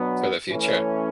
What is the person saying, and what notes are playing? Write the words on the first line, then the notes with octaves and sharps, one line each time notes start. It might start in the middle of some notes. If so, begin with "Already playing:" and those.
For the future.
Already playing: B2 F#3 B3 D4
E3 A3 C#4